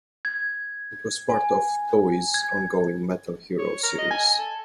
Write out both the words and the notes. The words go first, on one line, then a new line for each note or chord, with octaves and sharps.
It was part of Toei's ongoing Metal Hero Series.
G#6
G#5
G#6
C#5
A#4
D#5
G#5
A4